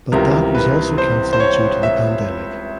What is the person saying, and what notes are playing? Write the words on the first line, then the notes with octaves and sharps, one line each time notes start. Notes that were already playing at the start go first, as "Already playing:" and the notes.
But that was also cancelled due to the pandemic.
C#2 C3 E3 G3 A#4
B4
C5
C5
C#5
E5